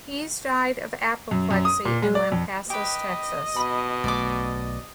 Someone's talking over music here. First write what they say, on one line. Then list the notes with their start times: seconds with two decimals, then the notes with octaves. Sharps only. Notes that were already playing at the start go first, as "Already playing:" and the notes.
Pease died of apoplexy in Lampasas, Texas.
1.31 F#2
1.51 F#2
1.65 D#6
1.85 A#2
2.02 G#3
2.15 D5
2.32 F2
2.70 G4 B4 D#5
3.56 B2 B5
4.04 B1 A3 D5 D6